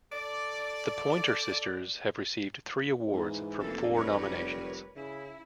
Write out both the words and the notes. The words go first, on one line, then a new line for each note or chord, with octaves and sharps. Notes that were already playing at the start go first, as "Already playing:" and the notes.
The Pointer Sisters have received three awards from four nominations.
A4 D5
G#2 E3
F1 A#3 A4
G3 A#4 B4 C#5
C#3 E4